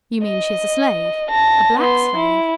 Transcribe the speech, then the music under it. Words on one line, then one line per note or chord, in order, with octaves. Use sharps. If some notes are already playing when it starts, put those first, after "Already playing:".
"You mean she is a slave--a black slave?"
D#5
A5 A#6
B3 C6
E4